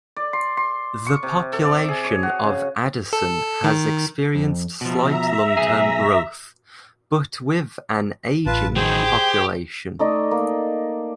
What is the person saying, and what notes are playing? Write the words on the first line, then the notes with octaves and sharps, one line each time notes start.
The population of Addison has experienced slight long-term growth, but with an aging population.
D5
C6
C6
C#6
C3
A4
D5
G#4
C#5
F#4
C#3
A4
D#3
F2
B2 F3 E5 A#5
B1 F#2 G#4
A1 F4 B4 A5
D#3 F#3 G#4 C5 G5
G4
A3 D#4 D5 D#5
A#3